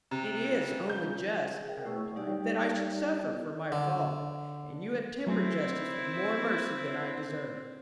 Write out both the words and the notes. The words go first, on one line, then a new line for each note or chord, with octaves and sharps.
"It is only just," I replied, "that I should suffer for my fault, and you have tempered justice with more mercy than I deserve."
C3
C#3 C#4 F4
G6
G#4
G#4 A#4 F#5 G5
A3 E4 C#5 C#6 E6
G3 D#4 G4 C#5 D5 G5
B3 E4 D#5
D3
F#3 A3 C4 C#4 E4